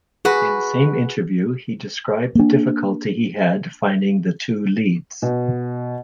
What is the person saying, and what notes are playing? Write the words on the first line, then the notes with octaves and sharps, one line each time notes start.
In the same interview, he described the difficulty he had finding the two leads.
F#4 G#4 B4
A#3 D4
B2